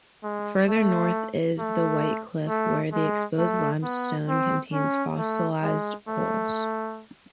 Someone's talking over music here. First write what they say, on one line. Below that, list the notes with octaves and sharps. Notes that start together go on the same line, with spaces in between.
Further north is the White Cliff, where the exposed limestone contains fossilised corals.
G#3
A3
A3
A3
G#3
A3
B3
C4
C#4
A3
G#3
A3